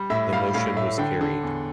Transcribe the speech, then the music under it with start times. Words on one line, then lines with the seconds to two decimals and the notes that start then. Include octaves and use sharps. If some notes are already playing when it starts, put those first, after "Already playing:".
The motion was carried.
Already playing: G3
0.10 A2 E5
0.33 G3 F5
0.54 A2 F5
0.76 A2 E5
0.98 D3 G5
1.21 D3
1.43 E2